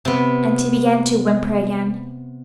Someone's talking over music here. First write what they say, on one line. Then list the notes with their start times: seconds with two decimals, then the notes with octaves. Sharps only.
And he began to whimper again.
0.05 C3 B3